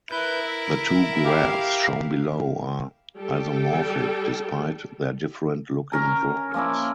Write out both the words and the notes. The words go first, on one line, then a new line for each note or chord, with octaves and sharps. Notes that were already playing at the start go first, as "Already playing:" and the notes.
The two graphs shown below are isomorphic, despite their different looking drawings.
E4 A#4 B4 G6
E5
G4 F5
G3 G4 A4 G5
C#4 A#4 A#5
F3 A#3 C#4 E4